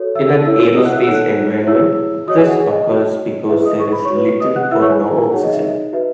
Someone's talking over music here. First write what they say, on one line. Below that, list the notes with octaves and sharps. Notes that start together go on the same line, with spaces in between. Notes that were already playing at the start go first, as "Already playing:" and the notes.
In an aerospace environment, this occurs because there is little or no oxygen.
Already playing: F#4 A4 C#5
E5 E6
E4 A4 C#5 E5 E6
D#5 D#6
F#5 F#6
E5 E6
D#4 A4 C#5 F#5 F#6
E4 G#4 C#5 E5 E6
F#4 C#5 D#5 D#6
G#4 G#5
F#4 F#5
G#4 G#5
D#5
D#5
F#4 C#5
E4 G#4 B4 E5
D#5 D#6
C#6
B5
C#5 C#6
F#4 B4
D#5 D#6
F#5 F#6
E4 B4 E5 E6
C#5 C#6
G#4 G#5
D#4 F#4 G#4 C#5 F#5
D#5
E5
D#5
F#4 B4 E5